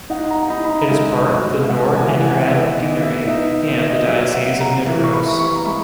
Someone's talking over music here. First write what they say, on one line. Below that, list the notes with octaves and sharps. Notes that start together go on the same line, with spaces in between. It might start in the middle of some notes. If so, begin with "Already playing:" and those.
It is part of the Nord-Innherad deanery and the Diocese of Nidaros.
D#4 F#5
A#5
D#4 B5
B5
A#5
D#5
G#3 E5
B2
E5
G#3 F#5
G#5
E3
F#5
G#5
B3 E5
D#5
B3
E5
D#4 E5
E5
B3
D#5
E5
D#5
F#3 E5
E5
F#5
A#3
A#5
E3
C#6
B5
E3
C#6
A#5
G#3 B5